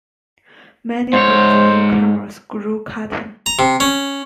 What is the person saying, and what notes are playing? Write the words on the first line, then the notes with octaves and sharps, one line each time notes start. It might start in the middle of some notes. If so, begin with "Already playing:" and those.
Many of the newcomers grew cotton.
G#2 C5 C#5
A#5
C3
C#4